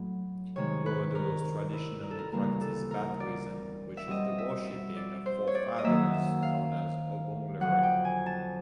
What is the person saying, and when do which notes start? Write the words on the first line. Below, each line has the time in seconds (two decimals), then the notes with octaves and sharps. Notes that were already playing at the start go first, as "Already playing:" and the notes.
Bodos traditionally practise Bathouism, which is the worshiping of forefathers, known as Obonglaoree.
Already playing: A2 F#3
0.56 C3 D#3 G#3 C#5
0.86 B4
1.15 A#4
1.73 E4
2.03 A#4
2.11 A4
2.19 A#4
2.32 D2 C#3 E3 G3 A#3 A#4
2.61 A4
2.91 A#4
3.20 D5
3.97 E5
4.07 B2 G3 C4 D#5
4.38 E5
4.67 E5
4.96 D5
5.26 C5
5.47 C#5
5.55 D5
5.78 D#5
5.84 F#2 D#3 F#3 A#3 E5
6.13 E5
6.43 F5
7.60 F2 D3 F#3 F#5
7.83 G5
8.05 G#5
8.26 A5